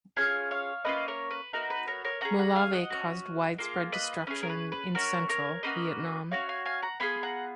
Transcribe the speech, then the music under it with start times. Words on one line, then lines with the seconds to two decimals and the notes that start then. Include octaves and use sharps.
Molave caused widespread destruction in Central Vietnam.
0.17 C#4 F4 G#4 F5 G#5
0.51 C#5 F5
0.85 A#3 C#4 F4 B4 D#5
1.08 A#4 C#5
1.31 B4
1.53 B3 D#4 F#4 A#4
1.70 B4
1.88 A#4 C#5
2.05 A#4 C#5
2.21 C#4 G#4 F#5 A#5
2.39 F#5 A#5
2.55 F5 G#5
2.73 D#5 F#5
2.90 C#4 F#4
3.58 A#3 F4 G#4
3.92 B4 D#5
4.27 C#4 G#4 B4
4.43 A#4
4.50 B4
4.72 B4
4.95 C#4 F#4 A#4 C#5
5.29 A#4 C#5
5.63 A#3 C#4 F#4 B4 D#5
6.31 C#4 F#4 C#5 F5
6.49 F5 G#5
6.65 F5 G#5
6.82 F#5 A#5
7.00 B3 F4 G#4 G#5 B5
7.23 F#5 A#5